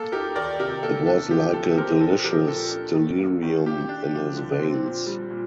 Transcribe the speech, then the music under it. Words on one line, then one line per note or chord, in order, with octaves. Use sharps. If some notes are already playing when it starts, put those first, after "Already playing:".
It was like a delicious delirium in his veins.
Already playing: A#3 A4
D#4 G4 A#4
D#3 A#4 D5
C3 G4 A#4
A#3 A4
D4 A4
F3 G4
D3 A4
C4 G4 A#4
A#2 A4
F3 G4 A#4
A#2 A4
D4
D#3
A#3
D#3
A#3 G4
D4
F3
D3
C4
A#2
G3
A#2